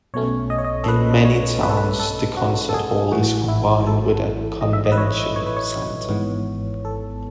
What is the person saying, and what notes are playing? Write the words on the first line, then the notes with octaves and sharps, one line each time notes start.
In many towns, the concert hall is combined with a convention center.
B1 B2 A3 C#4 C#5
D#5
C#5
D#5
A4
B4
C#5
B4
A4
B4
A4
F#4
A4
G#4
A1 A2 E3 F#4
E4
A4
D#5
E5
D#5
B4
C#5
C#5
B4
C#5
G#1 G#2 E3 B3
A4